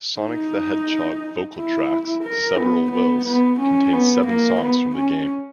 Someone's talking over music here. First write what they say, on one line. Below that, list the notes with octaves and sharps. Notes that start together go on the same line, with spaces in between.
"Sonic the Hedgehog Vocal Traxx: Several Wills" contains seven songs from the game.
D#4
E4
A#4
B3
B3
B3
C#4
B3
A#3
B3
C#4